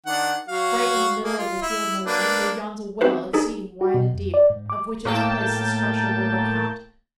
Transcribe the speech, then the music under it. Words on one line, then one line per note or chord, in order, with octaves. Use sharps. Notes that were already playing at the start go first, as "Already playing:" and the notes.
Right in the middle of the field malign There yawns a well exceeding wide and deep, Of which its place the structure will recount.
D#3 D4 F#5
F#3 F#4 F5
G#3 A#3
F4
E4
A#3 D4 B4
B3 C4 D#4 F#4 B4 C5
D4 D#4 G#4 A4
F#4
B2
F2
D5
G#2
D6
A2 A#3 G5 A5